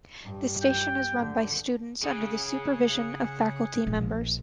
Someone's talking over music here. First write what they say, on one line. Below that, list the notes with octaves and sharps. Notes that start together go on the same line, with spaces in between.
The station is run by students under the supervision of faculty members.
G2
G5
D3
C#3 G#4 F#5
A#1